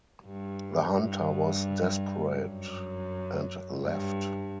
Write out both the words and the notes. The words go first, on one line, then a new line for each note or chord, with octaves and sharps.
The hunter was desperate and left.
G2
G2
F#2
G2